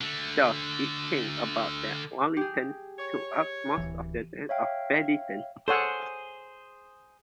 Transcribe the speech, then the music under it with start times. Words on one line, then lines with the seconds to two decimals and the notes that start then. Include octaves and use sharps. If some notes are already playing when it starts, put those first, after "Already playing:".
Thus it came about that Wallington took up most of the land of Beddington.
0.01 D3 A3
2.37 G4 G#4
2.99 C#5
3.78 D1 G#1 E3
4.49 C#5 E5 F5 G5
5.68 G#4 A4 C5 C#5 F#5